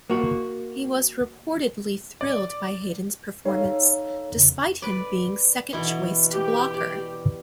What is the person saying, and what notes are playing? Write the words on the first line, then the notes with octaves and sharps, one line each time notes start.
He was reportedly thrilled by Hayden's performance, despite him being second choice to Blocker.
A#3 F#4
D5
D#4 A4 C#5 F5
E2 C#3
B4 D5
B2 E3
G4
D5